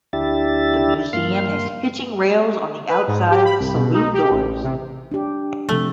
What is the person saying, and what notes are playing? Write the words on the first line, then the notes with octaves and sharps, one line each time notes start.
The museum has hitching rails on the outside of the saloon doors.
D2 D4 E4 G4 E5 A6
G2 A#3 F5 C6 F6
B4
G#2
G4
B5
C2
B2
D#4
G4
A1
C3
D4 G4
C3 F3 A3